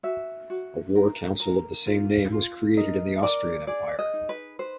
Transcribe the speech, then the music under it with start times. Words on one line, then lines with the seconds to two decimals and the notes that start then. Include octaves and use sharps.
A war council of the same name was created in the Austrian Empire.
0.03 F#4 E5
0.50 F#4
0.95 A#4
1.40 A#4
1.86 F4
2.32 F4
2.77 A#4 D#5
3.22 A#4 D5
3.67 G#4 D5
3.99 D#5
4.14 D#4
4.29 B4
4.59 B4 C5